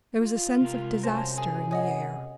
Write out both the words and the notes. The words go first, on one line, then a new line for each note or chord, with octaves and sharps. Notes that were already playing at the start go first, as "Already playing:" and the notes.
There was a sense of disaster in the air.
F4
C3 A#4
F#2 C5 G#5 A5 A#6
G#4
G#4 C#5 D#5 F#5 D#6